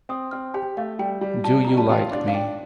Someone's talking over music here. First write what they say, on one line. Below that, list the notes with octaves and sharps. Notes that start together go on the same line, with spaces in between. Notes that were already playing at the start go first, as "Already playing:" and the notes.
Do you like me?
C4 D#6
C4 F6
G4 G5
A3 F5
G3 G5
G3
G3 A5
G3 A#5
A5
F4 G5
D4
F5
D4 G5